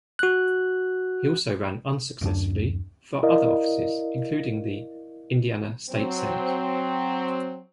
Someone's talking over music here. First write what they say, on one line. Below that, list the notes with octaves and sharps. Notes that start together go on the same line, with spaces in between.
He also ran unsuccessfully for other offices, including the Indiana state Senate.
F#4 F#6
D1 F#2 D4
E4 A#4 D5 D#5 F5
F#3 C4